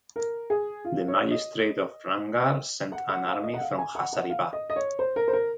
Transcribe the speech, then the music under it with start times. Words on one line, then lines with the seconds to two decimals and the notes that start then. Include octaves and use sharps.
Then magistrate of Ramgarh sent an army from Hazaribagh.
0.16 A#4
0.50 G#4
0.85 F4
1.08 C#5
1.31 D#5
2.92 F#5
3.09 F#5
3.27 F5
3.44 D#5
3.54 F#5
3.61 F5
3.78 G#5
3.95 F#5
4.13 F#5
4.29 F5
4.53 D#5
4.70 D#5
4.76 C#5
4.99 C5
5.16 A#4
5.28 C5
5.33 A#4